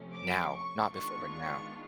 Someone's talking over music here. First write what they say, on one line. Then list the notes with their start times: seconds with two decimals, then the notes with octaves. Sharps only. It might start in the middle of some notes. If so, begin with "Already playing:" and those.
Now. Not before, but now.
Already playing: C3 F3 A3 C#4
0.13 D6
0.53 C#6
0.91 D#3 G#3 B3 D4 F4 C#6
1.30 C#6